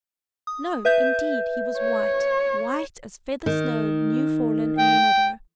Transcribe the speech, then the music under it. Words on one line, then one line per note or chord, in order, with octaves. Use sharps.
No, indeed; he was white--white as feather-snow new fallen in the meadow.
D#6
B4 E5 G6
C#5
D#3
G5